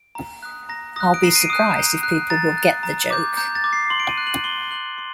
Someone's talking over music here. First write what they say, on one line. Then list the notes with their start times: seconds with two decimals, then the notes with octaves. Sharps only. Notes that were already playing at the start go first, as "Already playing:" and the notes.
I'll be surprised if people will get the joke.
Already playing: D7
0.15 A#5
0.43 D#6 F#6
0.69 A#5 A#6
0.96 D#6 F#6 A#6
1.14 D7
1.23 A#5 C7
1.36 D#7
1.41 D7
1.50 D#6 F#6
1.59 G6
1.76 A#5
2.03 F#6
2.30 A#5 A6
2.57 F#6
2.83 A#5
3.10 D6 G6
3.37 A#5 G6
3.55 A6
3.64 D6 G6
3.73 C7
3.90 C6 F#7
4.00 D7
4.09 D#7
4.18 F#6
4.27 F#7
4.44 C6 G7
4.71 F#6 F#7
4.98 C6